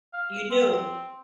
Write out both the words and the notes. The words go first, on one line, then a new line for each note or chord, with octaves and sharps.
You do.
F5
C4